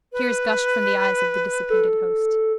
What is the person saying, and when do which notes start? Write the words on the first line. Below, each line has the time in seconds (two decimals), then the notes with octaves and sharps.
Tears gushed from the eyes of the dissipated host.
0.13 B4
1.70 A4